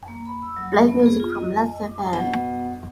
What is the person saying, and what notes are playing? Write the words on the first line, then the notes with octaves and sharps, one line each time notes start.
Play music from Lastfm.
A#3
B5
E6
F#3
A3
B3
G#4
F4
D#5
G#5
D#5
B2